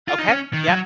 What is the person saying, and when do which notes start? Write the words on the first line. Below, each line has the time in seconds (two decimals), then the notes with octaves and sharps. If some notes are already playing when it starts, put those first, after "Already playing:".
Okay, yep.
0.08 F4
0.19 D#4
0.29 C#4
0.53 D#3
0.69 F#3